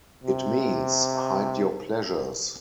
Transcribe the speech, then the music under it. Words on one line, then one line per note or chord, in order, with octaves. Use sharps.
It means, Hide your pleasures.
C3